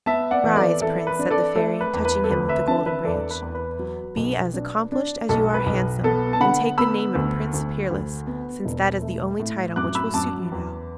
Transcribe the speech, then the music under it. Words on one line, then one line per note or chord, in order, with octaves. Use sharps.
'Rise, Prince,' said the Fairy, touching him with the Golden Branch. 'Be as accomplished as you are handsome, and take the name of Prince Peerless, since that is the only title which will suit you now.'
B3 E5 A5
D5 F#5
E3
A4 D5
E3 A4
B4
D4
A4 D5
A3 A4
B4
E2
B4
A4
D2 B4
B4 E5
D3 E5 A5
B4 E5
E2 A4 D5
B4
E2
B4
F#3
B1
D4
D4
B1 A4
B4
B1
B3 A4
A5
D3 F#5 B5
B3 B5 E6
D2
D2
D2
B3
E1
A3
A2
F#2 D6 F#6
B5 E6
F#2 A5 D6
E2